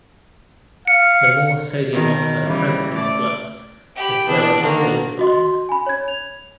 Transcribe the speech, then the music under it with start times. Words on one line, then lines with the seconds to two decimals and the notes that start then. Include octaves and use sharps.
The more sodium oxide present in the glass, the slower it solidifies.
0.87 F5 C#7
1.93 B2 D#3
2.42 C#3 E3 G3
2.93 A3 D5
3.96 G4 B5
4.28 E3 B3 D4
4.62 D3 D#3 A#3
5.19 F#4 D#5 C6
5.69 G#5 B5
5.86 C#5 G#6
6.08 F7